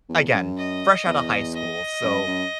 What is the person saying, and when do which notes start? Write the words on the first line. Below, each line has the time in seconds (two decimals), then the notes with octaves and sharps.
again, fresh out of high school. So,
0.09 E2
0.34 F#2
0.58 D#5
1.06 E2
1.55 D#5
2.03 F#2
2.27 F#2